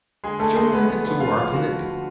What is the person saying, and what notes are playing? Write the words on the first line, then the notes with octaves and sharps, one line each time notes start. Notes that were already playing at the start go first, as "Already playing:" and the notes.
Surely the two are connected.
D3 G#3 G#4
D3 A3 A4
D3 G#3 G#4
G#3 B3 B4
D3 B3 B4
F3 B3 B4
D3 F4 F5
D3 F4 F5
G#3 F#4 F#5
F3
D3